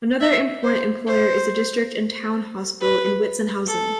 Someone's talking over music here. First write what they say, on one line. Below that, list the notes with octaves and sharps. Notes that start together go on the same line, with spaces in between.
Another important employer is the district and town hospital in Witzenhausen.
E5
C5
C5
B4
A4